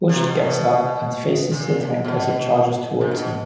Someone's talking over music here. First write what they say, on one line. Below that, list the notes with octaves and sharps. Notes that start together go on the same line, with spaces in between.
Bush gets up and faces the tank as it charges towards him.
C3
B2
B2
A#2
B2
A#2
B2